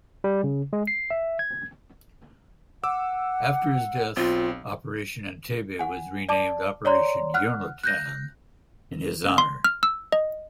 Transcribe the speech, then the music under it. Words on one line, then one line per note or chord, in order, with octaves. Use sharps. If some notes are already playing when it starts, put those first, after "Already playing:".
After his death Operation Entebbe was renamed "Operation Yonatan" in his honour.
G3
C#3
G#3
C7
E5
G#6
F#5 D6 E6
B1 C4 F4
F#5 G#5
D5 A5 D6
C#5 D5 A#5 C6
F#5 F6 F#6
F#6 G6 A#6
C6
F6
E6
D#5